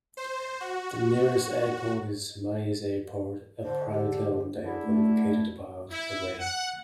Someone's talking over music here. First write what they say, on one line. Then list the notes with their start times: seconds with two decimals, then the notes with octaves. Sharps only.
The nearest airport is Mayes Airport, a privately-owned airport located about away.
0.17 C5
0.60 F#4
3.63 D3 C5
3.91 G4
4.64 D3 E4 G#4
4.85 A3
5.90 E4
6.39 F#5